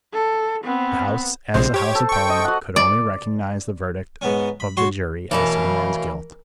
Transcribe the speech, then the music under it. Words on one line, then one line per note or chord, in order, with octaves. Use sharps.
The House, as a House of Parliament, could only recognise the verdict of the jury as to the man's guilt.
A4
B3 C4
A#1 C3 G#3 C5
G4 C#5
A4
G5 C#6
D#5
F#4 F#5
D5
G#2 B3 C#4
B5
F#4 C#5 A5 C6 C#6
B2 E3 A3 C#4 A#4 F5 B5